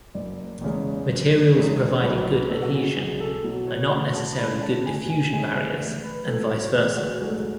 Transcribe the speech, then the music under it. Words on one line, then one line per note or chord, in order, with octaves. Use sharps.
Materials providing good adhesion are not necessarily good diffusion barriers and vice versa.
F#1 D5
E2 C#3 G#3
F#1
E2 C#3 G#3
C#5
B1 B4
B4
B2 F#3 A4
F#4
G#4
B1 G#4
A4
B2 F#3
C#5
D2 F#5
A5
C#3 G#3 B5
A5
D2 G#5
G#5
C#3 G#3 G#5
E5
A1 D5
B4
G#2 F#3 A3 A4
F#4
A1 G#4
F#4
G#2 F#3 A3 G#4